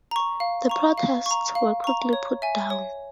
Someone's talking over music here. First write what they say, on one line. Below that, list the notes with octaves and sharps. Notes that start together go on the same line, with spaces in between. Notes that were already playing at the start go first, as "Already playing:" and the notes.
The protests were quickly put down.
A#5 C#6
F5
A#5 C#6
F5
A#5 C#6
F5
A#5 C#6
C#5
E5 G#5
C#5